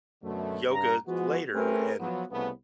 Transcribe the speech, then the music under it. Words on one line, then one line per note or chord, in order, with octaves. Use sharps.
yoga later and
F#2 B2 D3 A3
G2 A#5
F3 G#3 B3 F#4
A3 C4 C#4 G#4 A#4 B4
F3 F#3 B3
C2 C#3 A3 B3